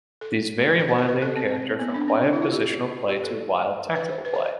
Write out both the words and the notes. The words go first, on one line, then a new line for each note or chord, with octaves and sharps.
These vary widely in character from quiet positional play to wild tactical play.
A4
B4
C5
B4
B4
A4
C4
C4
B3
D4
C4
D4
E4
F4
G4
G4
A4
B4
C5
B4
C5
B4